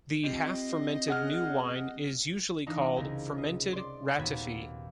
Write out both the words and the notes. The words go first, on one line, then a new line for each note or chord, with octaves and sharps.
The half-fermented new wine is usually called fermented ratafee.
C4 F4 G4 D#5
G#4 F#5 F6
E3 D4 D#4 F4
C#2 C3 A#4 G#5
D#5
D5 C6
D#2 A#2 B3 F#4 G#6 B6